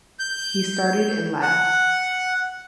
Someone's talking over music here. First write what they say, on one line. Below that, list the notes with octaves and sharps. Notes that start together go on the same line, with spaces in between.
He started, and laughed.
G6
F#5